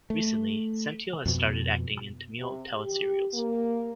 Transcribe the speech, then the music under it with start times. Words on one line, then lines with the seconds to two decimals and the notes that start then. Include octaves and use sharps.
Recently, Senthil has started acting in Tamil tele-serials.
0.10 A3
1.26 F2 B2
2.39 C3
2.76 G4
3.34 A#3